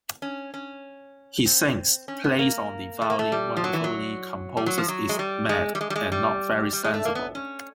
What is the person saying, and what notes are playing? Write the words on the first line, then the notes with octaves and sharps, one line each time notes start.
He sings, plays on the violin wonderfully, composes, is mad, and not very sensible.
C#4
C#4
C4
C#4
B3
A#3
A3
A#3
A3
G3
F3
F#3
E3
F#3
G3
F#3
F3
F#3
G#3
G3
G#3
G3
G#3
G3
G#3
G3
G3
G#3
A3
A#3
B3
C#4